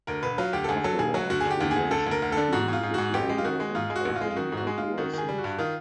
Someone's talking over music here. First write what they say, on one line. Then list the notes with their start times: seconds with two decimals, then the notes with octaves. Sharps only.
Afterward, relations between Yugoslavia and Albania worsened.
0.07 D2 A#4
0.23 E1 B4
0.38 F#3 F4
0.53 D2 G4
0.64 A4
0.69 D2 G#4
0.84 F#3 A4
0.99 E1 G#4
1.14 F#3 F#4
1.30 D2 F#4
1.40 G#4
1.46 D3 G4
1.61 D2
1.71 G#4
1.76 D2
1.91 D2 A4
2.06 D2 A#4
2.22 D2
2.32 D3 A4
2.53 G#2 F#4
2.68 G#2 F4
2.83 G#2
2.94 G#2 F#4
3.14 A1 G4
3.29 G#3
3.38 F4
3.45 D#3 F#4
3.60 G#3
3.75 G#2 F4
3.90 G#3
3.96 F#4
4.05 A1
4.16 F4
4.21 G#3
4.31 F4
4.36 D#3 F#4
4.52 G#2 F#4
4.67 G#3
4.78 G#3 F4
4.97 D#3 F#4
5.13 D#3 G#4
5.29 G3
5.38 F#4
5.44 G2
5.58 D#3 F4